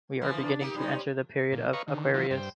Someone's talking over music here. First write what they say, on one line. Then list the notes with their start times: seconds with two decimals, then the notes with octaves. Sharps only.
We are beginning to enter the period of Aquarius.
0.22 E3 F3 A#3
0.40 D4
0.60 A#3 D#4 G4
0.75 G3 C4 C#4 D#4
1.52 A#2
1.73 B4 C#5 D#5 F5 A#5 C#6
1.88 D3 D#3
2.14 D#3 E3 F#3 C4 F4
2.31 G2 C5 G5